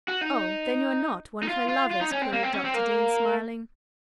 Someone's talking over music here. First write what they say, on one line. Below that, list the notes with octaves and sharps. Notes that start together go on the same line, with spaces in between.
"Oh, then you are not one of her lovers?" queried Dr. Dean smiling.
F#4
D#4
D#4
F4
F4
F4
D#4
C#4
C4
A#3
C4
C#4
C4
A#3